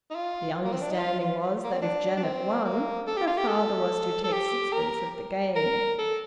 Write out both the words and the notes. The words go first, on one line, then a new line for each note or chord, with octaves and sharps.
The understanding was that if Janet won, her father was to take sixpence of the gain.
D#4
F4
A#3
C4
D4
D#4
F4
F4
A#3
C4
D4
D4
C4
A#3
A4
G4
F4
G4
A4
A4
G4
A#4
A#4
A4